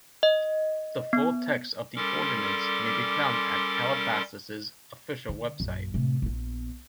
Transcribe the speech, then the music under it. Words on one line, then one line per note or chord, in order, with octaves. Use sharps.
The full text of the ordinance may be found at Calabasas' official website.
D#5
B3
G3 C#4 A4 A#4 C6 D6
D3
A#1 F#2
A2 C3
A#1 B3